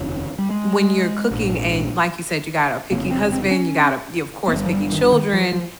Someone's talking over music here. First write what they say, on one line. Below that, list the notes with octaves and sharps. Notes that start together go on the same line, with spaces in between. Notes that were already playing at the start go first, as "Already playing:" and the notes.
when you're cooking and, like you said, you got a picky husband, you got a you of course, picky children.
Already playing: F1 D#2 C#3
G3
G#3
A#1 G#2
F1 F2 C#3 A#3
C4
C4
C#4
A#3
G1 G2 C4
F3
G3
D#3
D#3
F3
F3